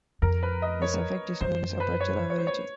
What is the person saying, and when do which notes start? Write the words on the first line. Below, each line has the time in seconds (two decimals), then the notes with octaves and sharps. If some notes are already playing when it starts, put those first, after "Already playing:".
This effect is known as "aperture averaging".
0.22 F2 A#4
0.43 B4
0.62 D#5
0.82 C#5
1.41 F#2 C5
1.80 B4
2.00 C#5
2.30 C#5
2.38 C5
2.47 C#5